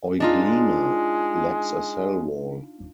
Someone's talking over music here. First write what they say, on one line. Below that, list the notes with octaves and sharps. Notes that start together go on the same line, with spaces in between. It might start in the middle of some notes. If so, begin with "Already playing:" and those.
"Euglena" lacks a cell wall.
G#3 D4 D#4 F4